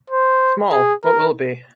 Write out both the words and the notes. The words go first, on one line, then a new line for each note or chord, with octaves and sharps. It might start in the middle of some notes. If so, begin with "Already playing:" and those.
Small, what will it be?
C5
G#4
A#4